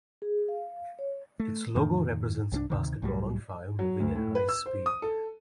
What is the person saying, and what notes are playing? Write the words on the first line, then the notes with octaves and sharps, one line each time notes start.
Its logo represents a basketball on fire moving at high speed.
G#4
F5
C#5
A3
F2 A2 D#3
C2 G3 D4
D2 C3 D#3
C2 A2 F#3 G3
F#3
D2
A2
B4
E6
C5
D#6
A4